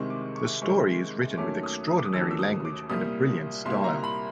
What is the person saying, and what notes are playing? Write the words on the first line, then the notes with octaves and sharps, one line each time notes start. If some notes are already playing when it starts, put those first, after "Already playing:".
The story is written with extraordinary language and a brilliant style.
Already playing: C2 C3 D#3 G#3 C4 C#6
D6
C#6
C2 C3 D#3 G#3 C4 C#6
D#2 D#3 F#3 A3 C#4 D6
D#6
D#6
D6
D#6
D#2 D#3 F#3 A3 C#4 E6
E6
D#6
D6
C2 A#2 G3 A#3 D#6
C2 A#2 G3 A#3 C6
A#5
B5